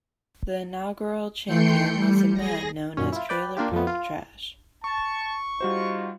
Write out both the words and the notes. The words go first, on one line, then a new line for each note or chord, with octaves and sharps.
The inaugural champion was a man known as Trailer Park Trash.
E3 A3 G5 C6 G6 C#7
G3
G#4 A#6
F#2 A#2 C#4
E4 F4
B4 D5 G5
A#3 D4 F4 G4
F2 F3 A3 B3
F4
A5 C#6
G3 D#4 F4 F#4 C5